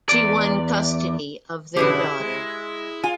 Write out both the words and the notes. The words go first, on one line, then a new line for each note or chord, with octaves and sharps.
She won custody of their daughter.
E2 D5
F#2 B2 D3 E4 G4 G#4 B4
G#3
F4 G#5